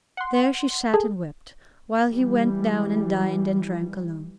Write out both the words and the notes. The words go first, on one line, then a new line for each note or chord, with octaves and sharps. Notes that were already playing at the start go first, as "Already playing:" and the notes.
There she sat and wept, while he went down and dined and drank alone.
F#5 C6
G#4 A4
E3 G3